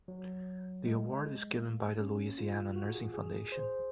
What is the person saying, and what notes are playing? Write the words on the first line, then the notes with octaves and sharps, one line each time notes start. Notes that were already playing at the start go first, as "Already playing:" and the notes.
The award is given by the Louisiana Nursing Foundation.
F#3
G#3
A#3
C#4
F4
F#4
G#4
G#4
C5